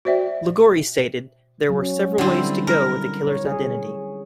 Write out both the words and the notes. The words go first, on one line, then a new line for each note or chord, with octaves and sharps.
Ligouri stated there were several ways to go with the killer's identity.
F#4 C5 D5 E5 G5
F#3 C#4
D3 G3 C4 E4
A#4
C#5
G#4